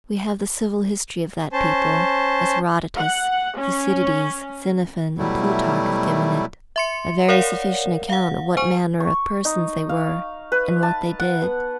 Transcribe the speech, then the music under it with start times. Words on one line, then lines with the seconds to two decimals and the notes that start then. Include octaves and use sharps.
We have the civil history of that people, as Herodotus, Thucydides, Xenophon, and Plutarch have given it; a very sufficient account of what manner of persons they were and what they did.
1.53 C#4 C5 A5
2.97 F#5
3.59 C#4
5.18 B2 F#3 G3 A3 E4
6.76 E5 C6 C#7
7.28 A#4 C#5 D5 F5 F#5
8.10 F5 F#5
8.57 C5 G#5 C#6
9.00 C#6
9.45 D#4
9.89 F5
10.52 B4
10.83 A5
11.19 F#5
11.42 B3